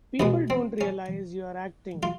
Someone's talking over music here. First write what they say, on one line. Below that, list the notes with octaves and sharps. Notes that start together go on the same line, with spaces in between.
People don't realize you're acting.
C2 B2 G#3 B3
C4
C#4
F4